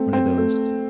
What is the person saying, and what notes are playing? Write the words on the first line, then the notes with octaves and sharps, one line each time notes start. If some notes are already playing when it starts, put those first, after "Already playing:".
one of those
Already playing: A3 C4
C4
A3